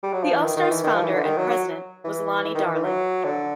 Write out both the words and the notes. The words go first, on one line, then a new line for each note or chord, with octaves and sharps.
The All-Stars' founder and president was Lonnie Darling.
G3
F#3
F3
E3
D#3
D#3
E3
D#3
F3
E3
D3
D#3
F#3
F#3
E3
E3
D#3
E3
E3
F#3
D3